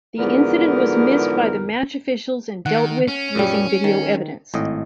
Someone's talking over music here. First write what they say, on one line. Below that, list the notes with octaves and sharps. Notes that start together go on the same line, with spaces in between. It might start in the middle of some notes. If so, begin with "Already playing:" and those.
The incident was missed by the match officials and dealt with using video evidence.
E2 G#2 D3 F3 B3 A#4
D#3 F#5
C#4
F#2 A#2 G3
D#3
G#1 A2 D#5